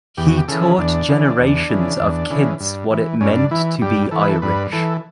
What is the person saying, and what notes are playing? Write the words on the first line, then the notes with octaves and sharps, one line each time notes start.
He taught generations of kids what it meant to be Irish.
E2 G4
F#4
G4
C#3 E3 A4
E2 D4
C#3 E3
E2
C#3 E3
E2
C#3 E3
G2
E3
G2 C#4
D4
E3 E4
G2 G4
E3 A4
B4
A4
G2 B4
E3 A4